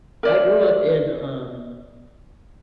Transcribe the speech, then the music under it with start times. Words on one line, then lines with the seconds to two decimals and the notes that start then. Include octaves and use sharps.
I grew up in, um,
0.23 A#4 D5 E5